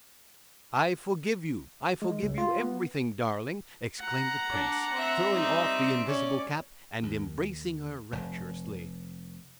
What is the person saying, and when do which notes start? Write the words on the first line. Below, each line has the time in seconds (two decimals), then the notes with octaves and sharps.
"I forgive you, I forgive you everything, darling!" exclaimed the prince throwing off the invisible cap, and embracing her rapturously.
2.02 G#3
2.23 C#2
2.38 F4
2.60 B3
4.00 F#5 A#5
4.51 D4
4.93 C4 E5
5.30 G3 D#4
6.07 C#4 D5
7.03 D#2
8.13 F1